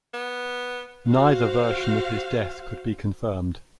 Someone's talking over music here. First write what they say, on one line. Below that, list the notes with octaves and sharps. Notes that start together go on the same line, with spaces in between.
Neither version of his death could be confirmed.
B3
F#4 C5 F5